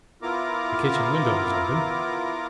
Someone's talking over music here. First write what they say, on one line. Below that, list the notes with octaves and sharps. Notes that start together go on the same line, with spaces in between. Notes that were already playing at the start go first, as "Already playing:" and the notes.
The kitchen window was open.
B3 E4 F4 A#4 A#5 D6